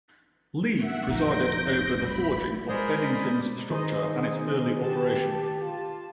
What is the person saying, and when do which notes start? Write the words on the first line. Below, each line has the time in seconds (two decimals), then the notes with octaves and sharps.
Leigh presided over the forging of Bennington's structure and its early operation.
0.79 A3 E5 F#5
1.08 F1 A#1 F3 D#4 G6 A#6 D7
2.00 G3 B5
2.69 G#3 A#4 C5 D5 B5 D#6 G6
3.70 D#3 D#4 G#4 C5 D#5
4.82 G4 A5
5.62 F4